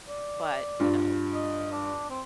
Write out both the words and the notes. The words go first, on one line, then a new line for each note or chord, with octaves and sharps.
but, you know
D5
G2 F4
D#5
D4
C4